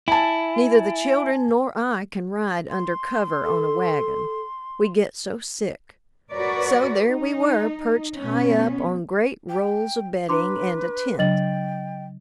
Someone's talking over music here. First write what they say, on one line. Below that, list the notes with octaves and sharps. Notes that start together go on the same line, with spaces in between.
Neither the children nor I can ride under cover on a wagon, we get so sick; so there we were, perched high up on great rolls of bedding and a tent.
E4 G#5 A5
C6
A4
F#4 A#4 B4 C#5 D5
D#4
B2 B3 C#4
G5
D4 B4 A#5 C6 D6
C#3 F#3 D4 D#5 G5 A6 F#7